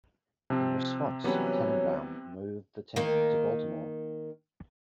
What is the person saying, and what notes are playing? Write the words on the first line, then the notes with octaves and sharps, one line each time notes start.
In response, Tanenbaum moved the team to Baltimore.
C3 F3 C4
E3 F#3 G3 B3 C#4
D#3 A#3